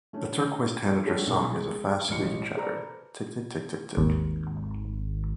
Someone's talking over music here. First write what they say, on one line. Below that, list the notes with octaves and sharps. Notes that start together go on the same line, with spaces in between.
The turquoise tanager's song is a fast squeaky chatter "tic-tic-tic-tic-tic".
A3 C#4 D4
G3 G#3 C#4 D4 F#4 A4
B1 B2 D#3 G#3
G#3
E1 A1 F6 C#7
A4 B4 C5 D5 A#5
G#1 D#2